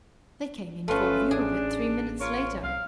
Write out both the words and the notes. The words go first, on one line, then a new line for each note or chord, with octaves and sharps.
They came in full view of it three minutes later.
G1 A3 C#4 F4 A4 B4
A1 D4 G#4
F4 A#4 C#5
C2 F5